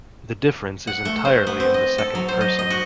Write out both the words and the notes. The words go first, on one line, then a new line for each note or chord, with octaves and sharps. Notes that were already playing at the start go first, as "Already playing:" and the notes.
The difference is entirely in the second person.
F#5
A3
C5
B3
C4
D#5
A4
F#3
C5
D#5
D#5
F#4